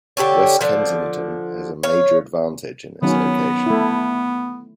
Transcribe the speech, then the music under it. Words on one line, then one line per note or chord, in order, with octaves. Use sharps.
West Kensington has a major advantage in its location.
D3 G4 A4 C#5
D3 F3
C#5 F5
D#3 F#3 B3 C#4
A3 E4